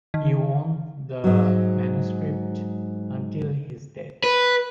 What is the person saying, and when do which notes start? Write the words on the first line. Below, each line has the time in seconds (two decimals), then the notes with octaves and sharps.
He owned the manuscript until his death.
0.14 D#3
1.24 G#2 F#3
4.24 B4